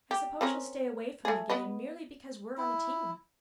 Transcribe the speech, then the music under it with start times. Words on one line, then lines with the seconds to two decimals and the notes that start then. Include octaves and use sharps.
I suppose she will stay away from the game merely because we are on the team.
0.11 G4
0.41 C4 C#4 A#4
1.25 A3 G#4
1.50 B3 B4 D#5
2.57 E4